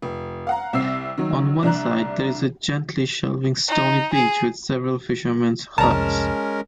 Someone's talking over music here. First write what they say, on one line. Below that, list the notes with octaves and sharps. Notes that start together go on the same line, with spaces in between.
On one side there is a gently shelving stony beach with several fishermen's huts.
F1
F5 F#5 A#5
C2 C4 E6 C7
D#3 F#3
C2 D4 A#5 F#6
D#4
G#4
C2 F2 G#3 C#4 A#4 A5 A#5